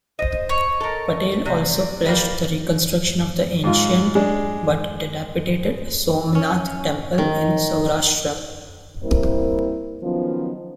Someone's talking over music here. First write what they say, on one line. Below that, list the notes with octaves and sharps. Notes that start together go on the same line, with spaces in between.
Patel also pledged the reconstruction of the ancient but dilapidated Somnath Temple in Saurashtra.
C5 D#5
C#5
A4 A#4 D#5
C3 D5
G3 A#3
G#2 F4
G#3 D4
C#4
D#3
G3 A#3 C4 E4 A#4 C5
D#3 F3 F#3 B3 C#4 F4